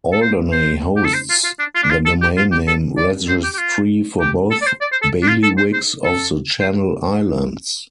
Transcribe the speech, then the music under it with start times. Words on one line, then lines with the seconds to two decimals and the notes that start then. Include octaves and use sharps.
Alderney hosts the domain name registry for both bailiwicks of the Channel Islands.
0.12 A4
0.22 C5
0.52 C5
0.96 G4
1.04 A4
1.14 C5
1.30 F4
1.44 F4
1.59 D4
1.75 F4
1.83 D4
1.90 F4
2.06 A4
2.22 G4
2.37 F4
2.51 G4
2.67 A4
2.97 D5
3.29 C5
3.43 G4
3.54 G4
3.58 F4
4.20 G4
4.51 A4
4.61 D5
4.66 C5
4.81 D5
4.92 C5
5.02 A4
5.23 D4
5.28 F4
5.43 A4
5.57 C5
5.73 C5
6.04 A4
6.61 C5